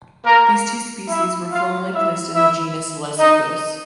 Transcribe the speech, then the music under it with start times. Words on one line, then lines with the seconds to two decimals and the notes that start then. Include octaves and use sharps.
These two species were formerly placed in the genus "Leucippus".
0.25 A#3 A#4
1.09 E4 E5
1.51 F4 F5
1.93 E4 E5
2.35 E4 E5
3.19 D#4 D#5